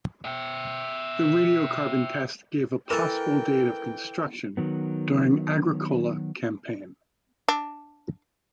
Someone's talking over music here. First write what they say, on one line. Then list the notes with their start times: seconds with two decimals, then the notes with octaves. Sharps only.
The radiocarbon test gave a possible date of construction during Agricola campaign.
0.25 E5 G5
2.90 E3 A4 A#4 G5
4.57 D#3 F#3 B3
7.48 D4